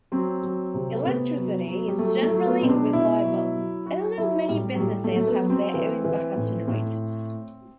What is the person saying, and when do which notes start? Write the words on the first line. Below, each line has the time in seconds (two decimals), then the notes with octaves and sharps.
Electricity is generally reliable, although many businesses have their own backup generators.
0.12 F#3 C4
0.43 F#3
0.74 C3
0.94 A3
1.05 C3 B3
1.37 F#3
1.68 F#3
1.88 G3
1.99 F#3 A3
2.22 A3
2.30 F#3
2.46 B3
2.61 B2 C4
2.69 D4
2.93 B2 E4
3.24 F#3
3.55 F#3
3.86 F#3 F#4
4.18 F#3 E4
4.48 A2 G3
4.75 F#3
4.79 A2 G3
5.04 A3
5.11 F#3
5.16 A3
5.27 B3
5.42 F#3
5.50 C4
5.74 E3
6.05 E3
6.36 A2
6.68 A2